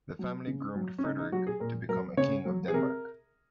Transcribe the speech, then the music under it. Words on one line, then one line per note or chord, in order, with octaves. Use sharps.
The family groomed Frederick to become a King of Denmark.
F#3
C#3
F#3
C#4
C#3 D#4
D#4
F#3 F#4
G#4
A#2 A#4
F#3 A#4
C#3 C#5
F#3
G#4
C3 A#4